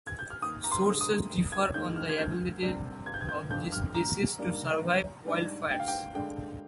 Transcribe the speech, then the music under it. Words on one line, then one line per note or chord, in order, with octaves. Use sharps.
Sources differ on the ability of this species to survive wildfires.
G#6
G6
F6
D#2 D#6
A#5
C6
D3 G#3
D#6
F1
G#6
D#2 D#3 G#3 D#4 G6
F6
G#6
D2 G6
C3 G3 D4
G1 G#6
G6
G#6
G6
F2 D3 F3 G6
F6
A#1 A#5
G#2 G3 A#3 D4
A#1
G#2 G3 D4
D2 G5
F5
G5
D3 G#3 D4 G5